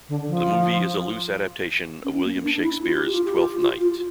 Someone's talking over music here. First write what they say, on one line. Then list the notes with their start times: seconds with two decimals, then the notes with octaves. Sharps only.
The movie is a loose adaptation of William Shakespeare's "Twelfth Night".
0.09 D3
0.28 F3
2.04 C#4
2.24 A#3
2.44 D4
2.63 E4
2.83 F4
2.96 G4
3.11 F4
3.25 G4
3.38 F4
3.61 F4
3.81 F4